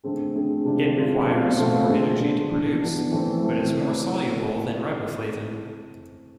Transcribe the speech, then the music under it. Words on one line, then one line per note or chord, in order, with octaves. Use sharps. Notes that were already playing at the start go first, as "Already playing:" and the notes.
It requires more energy to produce, but is more soluble than riboflavin.
D3 A3 C4 G#4
D3 A3 C4 G#4
C3 G#3 D4 F4
C3 G#3 D4 F4
B2 A3 C4 F4 A4
B2 A3 C4 F4 A4
D3 G#3 D4
D3 G#3 D4
E3 B3 D4
E3 B3 D4
E3 A3 C4
E3 A3 C4